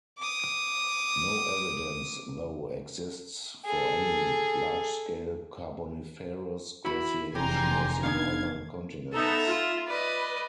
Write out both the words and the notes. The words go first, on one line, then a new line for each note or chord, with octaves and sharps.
No evidence, though, exists for any large-scale Carboniferous glaciation of the northern continents.
D6 D#6
G#4 A4
E4 F#4 B5
F1 E2 G4 G#5 A#5 C6
B3 D4 D#4 F5 G#6
B3 D#4 A4 E5 A#5
F4
B4 D5 D#5